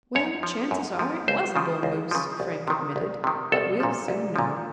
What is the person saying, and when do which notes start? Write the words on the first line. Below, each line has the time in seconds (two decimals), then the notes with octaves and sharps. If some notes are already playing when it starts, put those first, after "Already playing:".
"Well, chances are it was a bull moose," Frank admitted; "but we'll soon know."
0.15 F#2 C#5
0.43 F3
0.71 F#2
0.99 F3
1.28 C#2 C5
1.56 C#3 F3
1.83 C#2
2.11 C#3 F3
2.40 C2
2.68 C3 D#3
2.96 C2
3.24 C3 D#3
3.52 C2 A4
3.80 A#2 F3
4.08 C2
4.36 A#2 F3